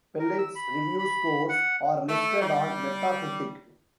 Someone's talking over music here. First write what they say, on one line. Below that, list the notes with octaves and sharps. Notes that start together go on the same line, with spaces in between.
Pelit's review scores are listed on Metacritic.
A#4
E6
B5
B5
F#5
A3
G3